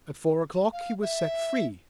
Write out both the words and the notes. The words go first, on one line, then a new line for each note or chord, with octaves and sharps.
At four o'clock he was set free.
F5
E5